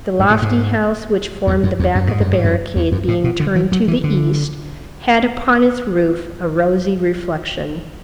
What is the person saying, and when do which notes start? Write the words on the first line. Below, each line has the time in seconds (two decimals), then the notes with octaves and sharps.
The lofty house which formed the back of the barricade, being turned to the East, had upon its roof a rosy reflection.
0.19 G#2
0.30 A2
0.42 G#2
1.47 E2
1.63 F#2
1.80 E2
1.95 F#2
2.08 G#2
2.20 F#2
2.32 G#2
2.44 F#2
2.76 E2
2.92 F#2
3.08 A2
3.24 B2
3.40 D3
3.56 E3
3.72 F#3
3.88 E3
4.04 D3